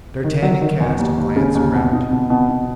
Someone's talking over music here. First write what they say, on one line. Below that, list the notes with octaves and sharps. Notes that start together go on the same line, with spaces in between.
D'Artagnan cast a glance around him.
D#3
F#3
D#3
E2
D#2
D#2
C#3
D#2
B2
D#4
B2
B2
B2